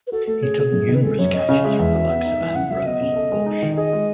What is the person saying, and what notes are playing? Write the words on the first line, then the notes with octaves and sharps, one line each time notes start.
He took numerous catches from the likes of Ambrose and Walsh.
B4
F#4 A4
A3 A4
C#4 G#4
B2
F#2
D#3
B4
G#3 A4
F#2 C#5
C#4 D#5
C#3
G#3 E5
E2 E5
F#4
B3
D#4
E3
C#3 F#5
F#3 E5
B3 D#5
C#3
A4
G#3
D#4
D#3
G#4 D#5
G#3